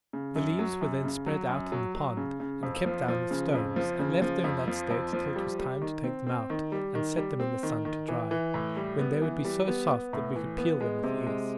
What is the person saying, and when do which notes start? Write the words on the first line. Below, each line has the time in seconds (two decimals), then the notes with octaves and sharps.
The leaves were then spread out in the pond, and kept down with stones, and left there in that state till it was time to take them out and set them in the sun to dry, when they would be so soft that we could peel them with ease.
0.13 C#3
0.36 F#2
0.59 F#3
0.81 F#2
1.04 C#3
1.26 F#3
1.49 F#2
1.72 F#3
1.95 F#3
2.17 C#3
2.40 C#3
2.63 F2
2.86 F3
3.08 F3
3.31 C#3
3.54 F2
3.76 F3
3.99 C#3
4.22 F3
4.44 F2
4.68 F3
4.90 F2
5.13 F3
5.36 G3
5.59 G3
5.82 D#3
6.04 C4
6.27 C4
6.50 D#3
6.72 G3
6.95 D#3
7.17 G3
7.40 C4
7.63 D#3
7.85 D#3
8.09 E3
8.31 E3
8.54 A2
8.77 G3
8.99 B3
9.22 E3
9.45 G3
9.68 B3
9.90 B3
10.13 A2
10.36 E3
10.58 B3
10.81 G#3
11.04 C3
11.27 G#3